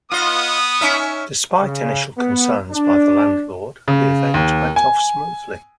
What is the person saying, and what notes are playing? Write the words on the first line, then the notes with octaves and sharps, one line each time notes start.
Despite initial concerns by the landlord, the event went off smoothly.
B3 F4 D#5 D#6
C#4 D#4 E5
C#3
B3
D4
C#3
D#2
G#5